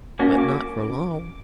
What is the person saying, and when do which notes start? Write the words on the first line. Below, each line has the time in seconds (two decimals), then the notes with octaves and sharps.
But not for long.
0.19 A#3 C#4 F#4
0.38 D6